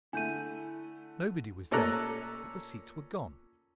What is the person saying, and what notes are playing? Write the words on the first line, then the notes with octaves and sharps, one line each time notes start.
Nobody was there, but the seats were gone!
D3 A3 E4 G#5 G6 D#7
A#2 C#4 A4 D5 A#5 F#6